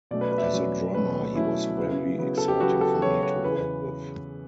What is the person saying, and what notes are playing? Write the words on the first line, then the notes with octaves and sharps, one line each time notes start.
As a drummer, he was very exciting for me to work with.
B2 F#3 A3 C#4 D5
B4
B4
E5
D5
B2 F#3 A3 C#4
B2 F#3 A3 C#4 B4
B2 F#3 A3 C#4 E4
C#3 F#3 B3
C#3 F#3 B3
A4
G4
C#3 F#3 B3 F#4
A4
C#3 F#3 B3 C#5
C#5
E2 C#3 E3 B3 B4